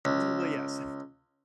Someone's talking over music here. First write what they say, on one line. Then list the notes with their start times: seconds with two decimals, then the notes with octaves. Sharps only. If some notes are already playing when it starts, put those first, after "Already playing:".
Mm, well, yes,
0.05 C#2